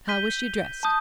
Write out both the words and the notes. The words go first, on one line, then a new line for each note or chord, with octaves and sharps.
"How was she dressed?"
G6 B6 D#7 G7
A5 D#6 G6